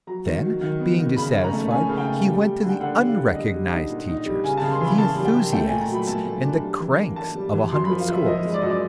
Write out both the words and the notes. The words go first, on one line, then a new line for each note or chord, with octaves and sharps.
Then, being dissatisfied, he went to the unrecognized teachers, the enthusiasts and the "cranks" of a hundred schools.
F#3 A#5
D#3
F#3
D#3
B3
D#3
C#3 B5
C#4
A#5
A3
C#4 G#5
C#3
G5
A3
G3
G3
D3
G5
D3 F#5
G3
F5
D3
G3 D#5
G3
D#4
A#2
D#4
G3
C#3 G#5
C#3 A5
C6
E3 B5
C#3 A5
G3
G5
G3
A3 G5
A#2 G#5
A#5
F#3 B5
A3 A5
A3
D4
G3
E3
A#3
A#3 A5
G3
E3
F#2 C6
F3 B5
F5
F3 E5
F3 D#5
G#3
D5
F#2 D#5
D5